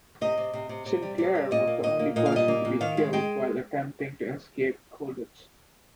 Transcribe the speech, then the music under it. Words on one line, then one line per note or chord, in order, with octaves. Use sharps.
Sinclair was the only person to be killed while attempting to escape Colditz.
C3 D#5
C3
C3
C3
C3
G3
C3
G3
A#2 D#5
A#3
A#2 D#5
A#3
A#2 D#5
F5
G3 D#5
A#3
A#2
D#3 F5
G#3
G#3 G5